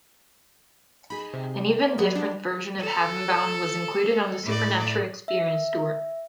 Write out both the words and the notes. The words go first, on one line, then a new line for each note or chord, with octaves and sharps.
An even different version of "Heavenbound" was included on The Supernatural Experience tour.
D#4 G#4 B5
C3
A#3
F#3 B4 D#5
G3 B3 D4
A4
A2 D5
E5